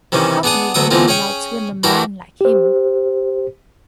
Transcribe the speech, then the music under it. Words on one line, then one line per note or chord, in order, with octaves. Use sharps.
How could a woman outswim a man like him?
C3 D#3 E3 G3 C#4
B3 D4 G#4 F#5 D#6
D2 F#3 B3 E5 F#5 D#6
D3 E3 G#3 C4 F4
C#4 G#4 C#5 G5 G#5
E3 D4 E4 F#4 G4 A#4
G4 C5